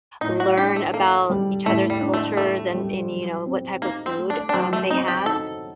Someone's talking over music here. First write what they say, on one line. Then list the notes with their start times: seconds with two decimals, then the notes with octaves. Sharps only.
learn about each other's cultures, and and, you know, what type of food, um, they have,
0.21 A2 D#4
0.40 F#4
0.57 D4 G4
0.76 A3
0.93 A#3 A4
1.30 G3
1.66 A2 A3
1.90 G3
2.01 D4
2.14 A3
2.37 A3 A4
2.74 G3
3.10 F#3
3.46 C4
3.82 A#3 D#4
4.06 C4
4.18 A3
4.30 D4
4.49 D4
4.54 F#3 C4
4.73 A3
4.91 C4 D#4
5.08 G4
5.26 D#4 A4